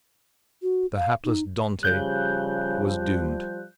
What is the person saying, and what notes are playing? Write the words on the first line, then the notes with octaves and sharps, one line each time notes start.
The hapless Dantes was doomed.
F#4
F5
D#4
C#3 F3 G3 F#6 G6